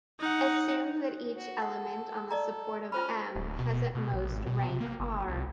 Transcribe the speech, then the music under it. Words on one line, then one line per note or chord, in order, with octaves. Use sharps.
Assume that each element on the support of "M" has at most rank "r".
D#4 F#5
F#4
A4 F#5
A4 D5 D#5 A#5
C#4 F4 C5 B5 F6
D1
B2
B2
A#1
G#1
B2
C3
A#3
G1
C2